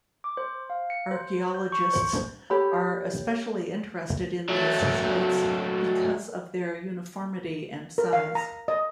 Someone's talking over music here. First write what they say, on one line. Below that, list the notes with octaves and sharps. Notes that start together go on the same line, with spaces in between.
Archeologists are especially interested in these sites because of their uniformity and size.
D6
C5
F5
C#7
C5
G6
C#6
C5
G4 A4 C#5 B5
F#3 A3
A#4
F5
A#5
D#5